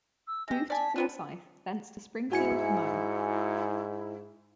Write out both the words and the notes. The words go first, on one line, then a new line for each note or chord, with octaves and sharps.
Moved to Forsythe, thence to Springfield, Mo.
E6
G#3 G4 A#6
D5 G#5 A5 B6
F#3 B3 D4 F4 D#7
G#2 E4 F#4 G#5 C#7